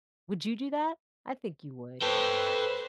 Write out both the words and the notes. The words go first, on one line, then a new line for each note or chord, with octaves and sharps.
Would you do that? I think you would.
A4 B4 C5 G5